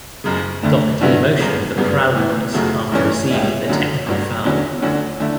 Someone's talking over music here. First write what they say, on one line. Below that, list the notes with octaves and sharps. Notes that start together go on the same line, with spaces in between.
Doherty motioned for crowd noise after receiving the technical foul.
F#1 F#2 C#3
D2 D3 A3
G2 D3 F#3 B3 E4
G1 F#2 C#3
G1 F#2 C#3 G3 B3
A2 E3 B3
F#1 F#2 C#3 F#3 A3
A1 G2 E3 A3 C#4
C#2 B2 G3 C#4 E4
F#2 D3 F#3 C#4
G1 G2 F#3
E2 D3 F#3 C#4
D2 D3 F#3 C#4 F#4
D3 A3 E4